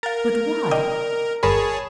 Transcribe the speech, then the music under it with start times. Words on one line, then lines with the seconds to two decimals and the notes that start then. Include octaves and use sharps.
But why?
0.03 A#4 F5 A6
0.71 D5 D#5 G5
1.43 G1 G#4 A#4 C#5 A5 B5